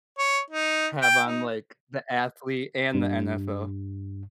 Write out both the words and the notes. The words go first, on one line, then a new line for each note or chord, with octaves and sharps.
Have on, like, the athlete and the NFL.
C#5
D#4
G5
D#4
G2